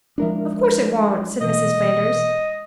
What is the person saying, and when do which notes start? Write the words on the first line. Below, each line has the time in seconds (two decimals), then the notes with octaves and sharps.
"Of course it won't," said Mrs. Flanders.
0.18 F3 G#3 D4 E4 A#4 E5
1.41 B2 E3 A#3 D#5